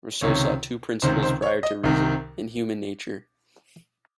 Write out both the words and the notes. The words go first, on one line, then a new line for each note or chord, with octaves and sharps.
Rousseau saw "two principles prior to reason" in human nature.
C#2 C3 D#3 C#5
C#2 C3 D#3 C5
C5
C#5
D#5
C2 C3 D#3